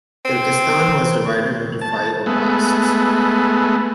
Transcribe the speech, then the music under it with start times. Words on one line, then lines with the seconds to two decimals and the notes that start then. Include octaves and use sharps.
Turkestan was divided into five oblasts.
0.25 C4
1.81 A5
2.26 G#3 A3 B3